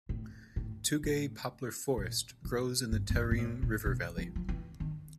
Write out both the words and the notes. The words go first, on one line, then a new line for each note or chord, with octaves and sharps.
Tugay poplar forest grows in the Tarim River valley.
A2
A2
A2
A#2
A2
G2
G2
G#2
A#2
A2
A#2
B2
F3
F3
E3
D#3